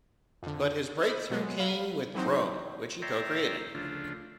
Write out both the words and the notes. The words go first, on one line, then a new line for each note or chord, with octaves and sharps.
But his breakthrough came with "Rome", which he co-created.
F2 D3
C5 D#5 E5 B5
B2 F#3 G#3 B3
F#3 F5 B5
E3 F#3 C4 D#4 C5
C#5 D5 E5 G5 A#5 C6
D2 C#3 F3 A3 D4 F4